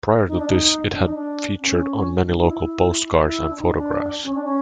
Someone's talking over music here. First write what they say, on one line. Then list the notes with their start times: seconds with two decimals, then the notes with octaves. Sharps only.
Prior to this it had featured on many local postcards and photographs.
0.27 D#4
0.37 D4
0.47 D#4
0.93 D4
1.03 D#4
1.14 D4
1.59 C#4
2.20 D#4
2.24 D4
2.36 D#4
2.47 E4
2.58 E4
3.24 E4
3.49 D4
3.57 D#4
3.74 D4
4.23 C#4
4.34 D4
4.43 C#4